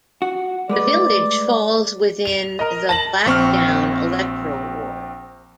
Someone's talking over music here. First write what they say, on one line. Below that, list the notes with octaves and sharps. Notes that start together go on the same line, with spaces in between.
The village falls within the 'Blackdown' electoral ward.
F#4
G#3 A3 B4 D5
F7
A#4 D#5
A5 A#6 F#7
A#1 C4 C#6 F6